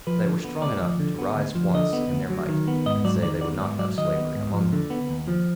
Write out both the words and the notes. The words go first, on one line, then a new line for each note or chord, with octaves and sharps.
They were strong enough to rise once in their might and say they would not have slavery among them.
F3 B4
D3
B3
D2 D5
F3
D3
B3
D2
F3
D3 D#5
B3
D2
F#3
D#3
B3
G#2 D#5
F#3 D5
D#3 D5
B3 D5
G#2 D5
F#3 D5
D#3 D#5
B3
G#2
F3
D3
B3
D#2
F3